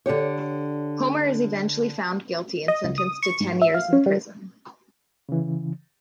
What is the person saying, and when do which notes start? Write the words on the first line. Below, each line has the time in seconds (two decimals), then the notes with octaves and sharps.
Homer is eventually found guilty and sentenced to ten years in prison.
0.06 D3 D4 G4 C#5
2.68 D#5
2.84 C#2
2.98 D#6
3.23 C#6
3.40 G#2
3.62 E5
3.74 F5
3.93 C#4
4.06 G3
5.29 C#3 E3